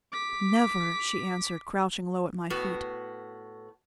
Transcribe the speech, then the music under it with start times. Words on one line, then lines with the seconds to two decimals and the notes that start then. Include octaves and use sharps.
"Never!" she answered, crouching low at my feet.
0.12 D6 B6
2.50 A2 B3 F#4